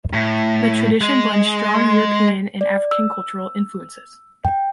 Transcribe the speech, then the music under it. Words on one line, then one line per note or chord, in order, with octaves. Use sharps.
The tradition blends strong European and African cultural influences.
A2
G#3
D5
E6
G5